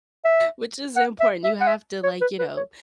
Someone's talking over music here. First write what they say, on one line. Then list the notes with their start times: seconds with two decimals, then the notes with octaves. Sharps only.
Which is important, you have to, like, you know
0.25 E5
0.97 F#5
1.20 E5
1.44 E5
1.61 F#5
1.67 E5
2.04 C#5
2.21 B4
2.39 B4
2.57 C#5